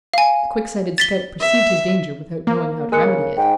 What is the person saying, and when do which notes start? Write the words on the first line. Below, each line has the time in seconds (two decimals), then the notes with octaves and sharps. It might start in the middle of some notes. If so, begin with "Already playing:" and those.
The quick-sighted scout perceived his danger without knowing how to remedy it.
0.14 F5 G#5
0.98 A6 B6 G7
1.40 E5
2.47 A#3
2.92 G#3 A#4 F#6 C#7
3.05 C#3
3.37 G#2 G5